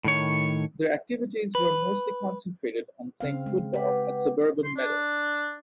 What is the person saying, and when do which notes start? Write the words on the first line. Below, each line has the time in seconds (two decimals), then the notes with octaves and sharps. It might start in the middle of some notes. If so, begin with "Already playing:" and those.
Their activities were mostly concentrated on playing football at suburban meadows.
0.04 A2 D#3 C#5
1.55 B4
3.20 C#3 C4 F5
3.46 G#3
3.74 G4 B4 F#5
4.64 C6
4.77 D4